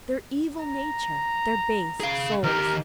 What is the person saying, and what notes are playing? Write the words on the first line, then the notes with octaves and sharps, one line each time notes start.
'Their evil nature--their base souls.'
A#5
G#4 F5
D#3 G4 A#4